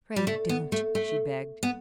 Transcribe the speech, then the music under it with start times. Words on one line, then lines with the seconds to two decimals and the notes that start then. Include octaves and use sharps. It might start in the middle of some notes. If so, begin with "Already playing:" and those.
"Pray don't!" she begged.
0.16 G3
0.27 A3
0.49 B3
0.72 A3
0.95 A3
1.63 B3